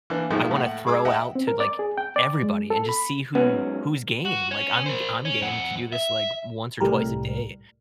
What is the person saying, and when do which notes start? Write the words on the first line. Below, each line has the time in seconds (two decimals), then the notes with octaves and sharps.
I wanna throw out to, like, everybody and just see who who's game. Like, I'm g I'm game to do this, like, once or twice a day,
0.10 E3 A#3 D4
0.30 A2 D#3 F3 G#3 A#3
0.51 A2 F#5
0.86 G#3 G#4 D6 E6
1.05 D#5 E5 F#5 G5
1.35 C4
1.48 A#4
1.60 D5
1.79 G#4
1.98 G5
2.16 D5
2.43 G#3
2.70 A4
2.89 B5
3.35 G#2 F#3 B3 C#4
4.25 F#4
4.51 C#4
4.86 A#4 C5
5.25 C#4
5.41 F2 F#5
5.92 E5
6.80 C2 A2 G3 A#4